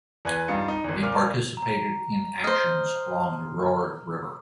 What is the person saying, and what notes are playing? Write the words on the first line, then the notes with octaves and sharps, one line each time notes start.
They participated in actions along the Roer River.
E2 B4 G#5
G2 D#4 F4 C#7
D#4
G#1 E2
A#2 D6 F6
A#5
C5 D#5 F6